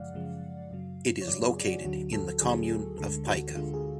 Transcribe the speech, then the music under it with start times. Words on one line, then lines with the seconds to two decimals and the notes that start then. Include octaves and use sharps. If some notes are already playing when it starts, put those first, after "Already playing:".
It is located in the Commune of Pica.
Already playing: F#2 C#3 F3 G#3 D5 F5 F#5
0.14 F#2 C#3 F3 G#3
0.71 F#2 C#3 F#3
1.21 C#5
1.27 F#2 C#3 F#3 D5
1.47 G#4
1.65 F#4
1.84 D2 D3 F#3 F#4
2.13 A4
2.41 D2 D3 F#3 G#4
2.98 D2 D3 G#3 A4
3.27 F#4
3.55 D2 D3 G#3 F4
3.74 G#4